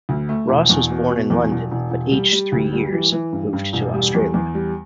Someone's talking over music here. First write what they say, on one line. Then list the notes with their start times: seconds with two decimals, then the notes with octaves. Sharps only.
Ross was born in London but aged three years, moved to Australia.
0.09 D2
0.29 A3
0.49 E1
0.69 E2
0.90 B2
1.10 B2
1.30 E2
1.51 E1
1.71 E1
1.91 E1
2.12 G3
2.32 G3
2.52 D2
2.73 G3
2.92 E3
3.12 E3
3.32 G2
3.53 G2
3.73 E1
3.94 G3
4.14 E2
4.34 E2
4.55 G3